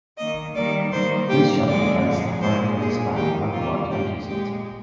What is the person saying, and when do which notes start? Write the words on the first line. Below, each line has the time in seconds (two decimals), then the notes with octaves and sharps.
This shell prevents the heart from expanding when blood enters it.
0.18 D#3 A#3 D#5
0.55 D#3 G3 A#3 D5
0.92 D#3 G3 A#3 C5
1.29 A#2 G3 A#3 G4
1.67 D3 F3 G#3 D5
2.04 A#2 F3 G#3
2.41 A#2 G#3 C5
2.79 A#2 G#3 G#4
3.16 D#3 A#3 G4
3.53 C3 G3 A#3 F4
3.91 A#2 G#3 G4
4.27 A#2 G#3 G4